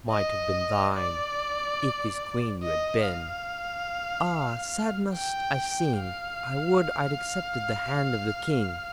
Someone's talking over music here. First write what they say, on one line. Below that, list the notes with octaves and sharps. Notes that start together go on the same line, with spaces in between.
It might have been thine, If his Queen you had been.' 'Ah! sad must I sing! I would I'd accepted the hand of the King.'
D#5
D5
D#5
F5
G5
F5